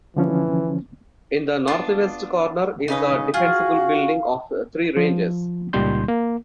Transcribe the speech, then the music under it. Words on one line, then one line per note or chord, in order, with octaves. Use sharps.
In the northwest corner is a defensible building of three ranges.
D3 E3 F3 C#4
B3 D4 F4
C#3 D#4 B4 D#5
F4 F#4 G#4 F5
F3
C#2 A#2 G3 D#4 C6 G6
A#3